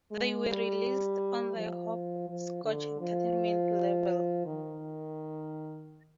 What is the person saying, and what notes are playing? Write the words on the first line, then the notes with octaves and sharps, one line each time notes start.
They were released on the Hopscotch Entertainment label.
G#3
G3
F3
F3
D3
F3
D#3